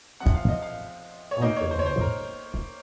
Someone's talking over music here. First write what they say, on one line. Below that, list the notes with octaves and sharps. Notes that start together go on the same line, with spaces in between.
At the time.
C3 F3 C4 F#5
F5
D#5
F5
C#5
D#3 A#3 D#4 D#5
C#5
C5
C#5
C5
A#4